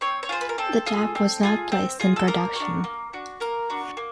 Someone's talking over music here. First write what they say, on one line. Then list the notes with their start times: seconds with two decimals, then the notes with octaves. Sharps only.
The type was not placed in production.
0.01 C4 C#5
0.23 C#5
0.29 F4 G#4 C5
0.41 B4
0.49 A#4
0.58 C4 A4
0.86 F4 G#4
1.15 C4
1.43 F4 G#4
1.72 C4
2.00 F4 G#4
2.16 A4
2.27 A#3 A#4
2.55 D4 F#4
2.84 A#3
3.13 D4 F#4
3.40 A#3 A#4
3.70 D4 F#4
3.97 A#3